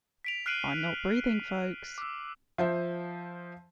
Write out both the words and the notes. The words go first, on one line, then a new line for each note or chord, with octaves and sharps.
I'm not breathing folks!
B6 D7 F7
F6 F#6 C7 D7 D#7 F#7
D6 E6
F3 C5 E5